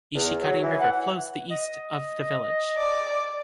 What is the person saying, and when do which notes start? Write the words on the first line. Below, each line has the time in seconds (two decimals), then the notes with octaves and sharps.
Ishikari River flows the east of the village.
0.15 E2
0.42 F#3
0.63 E3
0.79 F#5
1.51 D#5
2.77 D5